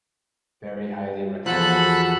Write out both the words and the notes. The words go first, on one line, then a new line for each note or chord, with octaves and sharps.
Very highly recommended.
E2 F3 F#4 A4 B5 F#6